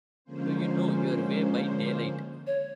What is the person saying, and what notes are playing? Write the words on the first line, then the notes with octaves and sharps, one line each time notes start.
Do you know your way by daylight?
D3 F3 G#3 A#3 C#4 C5
C#5